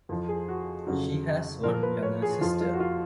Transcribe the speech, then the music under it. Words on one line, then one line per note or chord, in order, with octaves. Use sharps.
She has one younger sister.
F2 F3
G#4
F#4
F2 C#3 F#3
A#2 F3 A#4
A#4
B4
C#5
G#4
F2 F3 F4
F4
F#4
F4